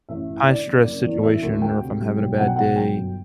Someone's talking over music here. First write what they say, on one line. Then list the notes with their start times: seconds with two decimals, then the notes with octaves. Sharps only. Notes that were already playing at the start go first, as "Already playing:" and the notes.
high-stress situation, or if I'm having a bad day,
0.09 A1 E5
0.29 A2
0.47 D3 D5
0.67 F#1
0.86 F#1
1.04 E2
1.23 E3 E5
1.43 D2
1.61 D2 G5
1.81 C3
2.00 G3
2.19 B1
2.38 B1 F#5
2.48 G5
2.56 B2 F#5
2.76 F#3 G5
2.95 G1